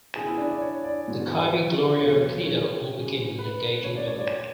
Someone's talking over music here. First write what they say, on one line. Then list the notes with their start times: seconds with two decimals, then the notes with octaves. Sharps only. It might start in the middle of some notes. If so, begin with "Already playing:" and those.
The Kyrie, Gloria and Credo all begin with an engaging rhythm.
0.15 C#3 E3 B3 G#4
0.26 E4
0.38 D4
0.51 D5
0.61 C#5
0.84 D5
1.08 G#2 E3 B3 D4 F#4
2.00 E2 B2 F#3 B3 C#5
2.46 C#5
2.92 F#3 C#4 G#4
3.39 B4
3.84 E3 A3 C#4 F#4 A4 C#5
3.95 D5
4.07 C#5
4.19 D5